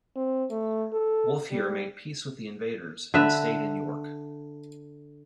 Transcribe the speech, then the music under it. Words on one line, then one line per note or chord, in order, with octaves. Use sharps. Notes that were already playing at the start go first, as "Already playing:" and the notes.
Wulfhere made peace with the invaders and stayed in York.
C4
A3
A4
G3
D3 B4 E5